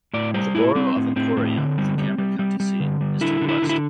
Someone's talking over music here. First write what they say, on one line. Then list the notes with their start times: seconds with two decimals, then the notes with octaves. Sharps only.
The borough of Emporium, the Cameron County seat, is to the west.
0.14 A2 D5
0.34 G3 C5
0.55 A2 E4
0.75 G3 C4
0.96 A2
1.16 A2 C4
1.37 A2
1.58 D3
1.78 G3
1.98 G3
2.18 G3
2.39 G3
2.60 G3
2.80 D3
3.01 G3
3.21 D3 E4
3.42 D3
3.49 E4
3.62 D3
3.69 E4